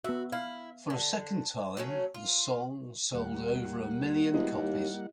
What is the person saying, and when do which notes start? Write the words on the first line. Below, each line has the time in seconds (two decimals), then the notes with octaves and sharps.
For a second time, the song sold over a million copies.
0.04 B3 F#4 E5
0.32 E4 F5
0.90 D3
1.77 F#3 A3 C#4
2.14 F4
3.14 D#2 G3 A#3 F#5
4.33 E1 E4 G4 D#5
4.54 D#2